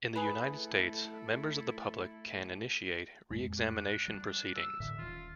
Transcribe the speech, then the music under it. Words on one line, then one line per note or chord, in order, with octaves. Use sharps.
In the United States, members of the public can initiate reexamination proceedings.
A3 E4 G#4 A4 B4
F2 G#2 G#3
D4
G3
E6
A2 D3 E5
D#1 D#3 F4